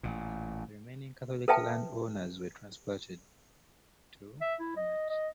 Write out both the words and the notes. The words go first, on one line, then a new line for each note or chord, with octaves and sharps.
The remaining Catholic landowners were transplanted to Connacht.
A1 A#2
A4 B4 E5 G5 A5
E5
E4
D#5
D#5